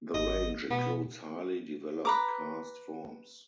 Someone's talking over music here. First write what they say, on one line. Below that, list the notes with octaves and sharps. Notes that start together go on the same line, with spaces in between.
The range includes highly developed karst forms.
G#1 D#5
B2 B3
B4 A#5 D6